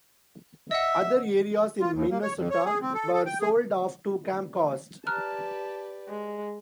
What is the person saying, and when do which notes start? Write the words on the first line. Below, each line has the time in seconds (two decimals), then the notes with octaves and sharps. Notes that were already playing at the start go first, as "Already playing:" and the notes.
Other areas in Minnesota were sold off to Comcast.
0.71 D#5 E5 F#5 E6
1.81 F4
1.94 D#2
2.11 A#3
2.23 C#5
2.37 F2
2.51 C#5
2.65 G#4
2.82 C4
2.94 A4
3.13 A4
3.26 G5
3.41 G#4
5.07 G4 B4 D5 A5 A#5 F6 F#6
6.09 G#3